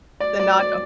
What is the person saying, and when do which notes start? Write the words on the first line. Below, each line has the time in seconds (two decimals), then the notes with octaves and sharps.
the knob do
0.20 D5
0.39 D5
0.60 D5